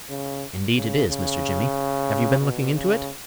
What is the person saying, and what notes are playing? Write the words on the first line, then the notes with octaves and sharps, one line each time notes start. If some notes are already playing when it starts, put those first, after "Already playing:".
"Indeed it is, Mr. Jimmy--have you been looking into it?"
C#3
C#3
C#3
B2
C#3